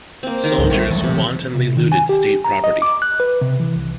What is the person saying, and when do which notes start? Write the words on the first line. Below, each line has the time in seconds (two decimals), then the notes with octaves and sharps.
Soldiers wantonly looted state property.
0.23 A#3 C4
0.44 D#3 A#4 A#5
0.58 C#2 G#2
0.70 A#1 G3 A4 C#5 E5
0.91 E3 F#3 A3
1.04 C3
1.55 C3
1.77 D#3
1.92 G#5
2.09 G4
2.45 A#5
2.64 D#5
2.82 D6
3.02 F#6
3.20 B4
3.41 C3
3.60 E3
3.75 C2